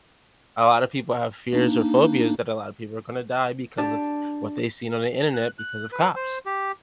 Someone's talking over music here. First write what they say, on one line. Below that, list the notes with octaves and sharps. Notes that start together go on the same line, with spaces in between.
a lotta people have fears or phobias that a lotta people are gonna die because of what they've seen on the internet because of cops.
A#3 D4 D#4
D4 G4 A5
F#6
F#6
B4
C5
G4